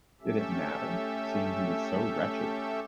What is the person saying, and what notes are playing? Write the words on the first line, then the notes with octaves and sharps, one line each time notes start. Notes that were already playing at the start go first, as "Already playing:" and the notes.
Did it matter, seeing he was so wretched?
A3 C#4 G4 A4 E5